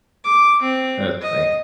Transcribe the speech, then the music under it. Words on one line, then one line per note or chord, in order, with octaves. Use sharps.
That's funny.
D6
C4
D#5